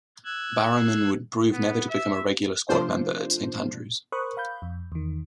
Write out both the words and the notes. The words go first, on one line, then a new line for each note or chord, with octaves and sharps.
Barrowman would prove never to become a regular squad member at Saint Andrew's.
E6 F#6 G#6
B3
E5
C3 F3 A3 D4 F4 C5
A#4 C5 B5 C#6 D#6 F#6
F5 B5 G6
F2
E2 D#3